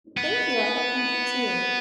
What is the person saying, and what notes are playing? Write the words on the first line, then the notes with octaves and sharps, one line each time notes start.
Thank you, I hope you do too.
B3